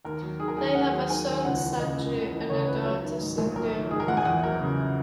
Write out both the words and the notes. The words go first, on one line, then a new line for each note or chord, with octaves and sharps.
They have a son Saji and a daughter Sindhu.
D#2 A#4
F#3
D#3 G#4
A#4
D#2 G#4
A#4
D#2 F#5
F#3
D#3 G#5
D#2
C#2 F#5
E3
C#3 D#5
C#2
C#2
E3
C#3 C#5
C#5
C#2 B4
F#3 C#5
D#3
G#2
A#1
F#3 A#4
D#3
G#2 G#4
A#4
A#1 F#5
G#5
E2 F#5
F#3 A#4
C#3